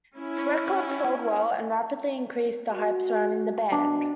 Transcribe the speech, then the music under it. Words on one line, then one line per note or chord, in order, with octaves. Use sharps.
The record sold well and rapidly increased the hype surrounding the band.
C#4 E4
F#4
B2 D4